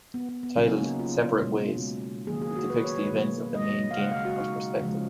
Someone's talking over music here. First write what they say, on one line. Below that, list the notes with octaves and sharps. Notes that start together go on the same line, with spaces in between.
Titled "Separate Ways", it depicts the events of the main game from her perspective.
B3
B3
B3
C#3 F#3 A#3 C#4
D#4
F4
B2 G#3
D#3 F#3 A#3 G#4
G#4
F#4
B4
C#5
B4
B2 F#3 A#3
D#5
F5
C#3 G#3 F#5
F5
F#4
D#4
C#3 F3 G#3